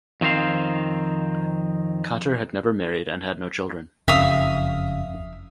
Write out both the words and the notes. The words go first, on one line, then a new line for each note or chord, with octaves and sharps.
Katter had never married and had no children.
F2 D#3 C4 C5 F5
F#1 F2 C#3 E5 F5 D#6